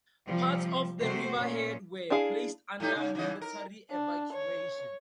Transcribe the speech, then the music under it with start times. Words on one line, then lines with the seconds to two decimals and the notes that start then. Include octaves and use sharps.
Parts of Riverhead were placed under mandatory evacuation.
0.23 C3 F3 G3
1.00 C3 A3 F#4 C5
1.38 A#2 C#4
2.10 D4 E4 G#4 F5
2.80 A2 G3 D#4
2.96 C#3
3.15 C#3 E3 D#5
3.41 A#4
3.90 D4
4.33 C#5